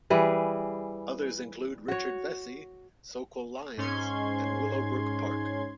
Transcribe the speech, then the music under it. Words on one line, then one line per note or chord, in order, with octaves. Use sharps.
Others include Richard Vessey, Soquel Lions, and Willowbrook Park.
E3 G3 G#4 B4
F#4 C#5
G#2 C#4 C6 G#6